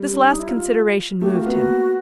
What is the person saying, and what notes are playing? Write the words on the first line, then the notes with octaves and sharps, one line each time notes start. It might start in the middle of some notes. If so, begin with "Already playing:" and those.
This last consideration moved him.
Already playing: G3
C#4
D4
D#4
E4
F4
A3 G4
A#3 F#4
F4
B3 F#4